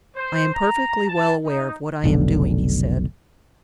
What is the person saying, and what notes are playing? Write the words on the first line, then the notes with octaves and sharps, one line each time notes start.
"I am perfectly well aware of what I am doing," he said.
C5
A#5
A5
D#4
F1 B1 D3